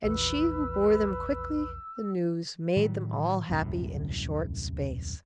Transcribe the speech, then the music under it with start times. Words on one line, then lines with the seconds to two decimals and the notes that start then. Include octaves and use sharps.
And she who bore them quickly the news made them all happy in a short space.
0.03 A#1 E2 B4 E6
2.76 A2 D#3 F#3 G3
3.49 D#1 C2 F#2 A2